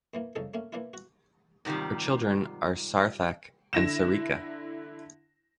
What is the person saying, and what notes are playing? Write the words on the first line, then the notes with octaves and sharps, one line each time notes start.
Her children are Sarthak and Sarika.
D#2 E3 A#3
C2 F2 C#3 D#4 A4
A3 A#3 C#4
E3 A#3 D4 E4 F4
F#4
G#2 C3 D#3 F3 G3
D3 E4 A#6 E7